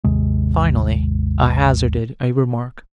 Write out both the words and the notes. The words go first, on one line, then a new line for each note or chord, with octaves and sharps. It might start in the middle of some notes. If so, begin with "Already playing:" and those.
Finally, I hazarded a remark.
G#1 D#2 C3 G#3